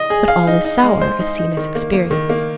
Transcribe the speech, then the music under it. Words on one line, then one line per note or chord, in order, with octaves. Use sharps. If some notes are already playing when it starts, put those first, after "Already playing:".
But all is sour, if seen as experience.
Already playing: D#5
G#4
F5
D#4
D#4
G#3
C5
D#4
D#4
D#3
A#3
A#3
D#3
A#3